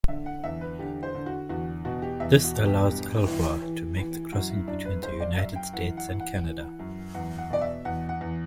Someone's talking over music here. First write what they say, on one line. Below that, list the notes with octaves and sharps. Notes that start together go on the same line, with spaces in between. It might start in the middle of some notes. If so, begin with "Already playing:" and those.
This allows "Elwha" to make the crossing between the United States and Canada.
D3 E5
F#5
E2 E5
B4
D3 G4
C5
D3
F#4
E2 F#4
B2 F#4
G4
E2 E5
F#4
B2
G4
G2
E3
E3
E3
F#2 F#4
E4
F#2 D4
B4
F#2 C5
D5
F#2 E5
G5
E3 F#5
F#5
E3
F#5
E3
F#2
E2 F#5
F#5
B2 D5
E5
E2 F#5
F#5
E2